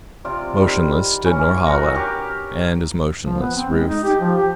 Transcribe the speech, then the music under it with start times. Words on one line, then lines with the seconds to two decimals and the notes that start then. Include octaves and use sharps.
Motionless stood Norhala; and as motionless Ruth.
0.24 C3 F4 D5
0.60 D#3 B5
1.25 E3 C#4
1.66 F#4 G#4 A#4
1.95 G4 A#4 C#5 D6
3.26 F3
3.39 B3
3.56 C4
3.69 G#3
3.88 D#4
4.04 G4
4.20 F3
4.37 G4